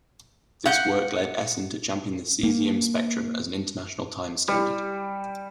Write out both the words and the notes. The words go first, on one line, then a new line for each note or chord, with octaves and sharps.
This work led Essen to champion the caesium spectrum as an international time standard.
F5 F#5 G6
A#3
G3